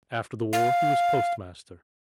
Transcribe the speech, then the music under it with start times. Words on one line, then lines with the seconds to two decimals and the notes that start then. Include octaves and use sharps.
After the War he was postmaster.
0.53 F5